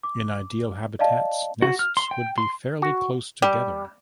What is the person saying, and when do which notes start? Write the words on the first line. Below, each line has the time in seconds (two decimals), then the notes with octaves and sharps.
In ideal habitats, nests would be fairly close together.
0.03 D6
0.99 D5 D#5 F5 A5
1.62 F#4
1.79 F6
1.97 C6
2.11 G5
2.38 C6
2.82 F#4
3.42 G3